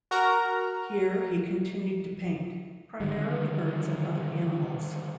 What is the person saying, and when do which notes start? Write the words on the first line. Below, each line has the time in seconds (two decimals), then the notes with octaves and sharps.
Here he continued to paint, primarily birds and other animals.
0.11 F#4 A#4 A#5
3.00 D3 D#3 G3